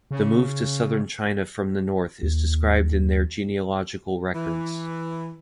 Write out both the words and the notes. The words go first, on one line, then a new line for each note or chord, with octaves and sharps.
The move to southern China from the north is described in their genealogical records.
C#3
D#2
E3